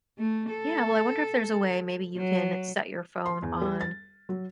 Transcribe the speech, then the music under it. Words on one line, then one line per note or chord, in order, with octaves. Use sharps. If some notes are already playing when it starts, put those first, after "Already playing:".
Yeah, well, I wonder if there's a way maybe you can set your phone on
A3
A4
F#3
C6
E2
G3
A6
F#3